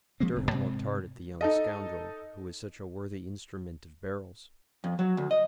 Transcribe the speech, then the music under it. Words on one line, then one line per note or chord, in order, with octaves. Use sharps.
Durham looked hard at the young scoundrel who was such a worthy instrument of Beryl's.
F3 G#3 A#3 C4
F1 D3 C4
G#2 C3 C4
D#4 A4 D#5
F2
F#3
D2
D#5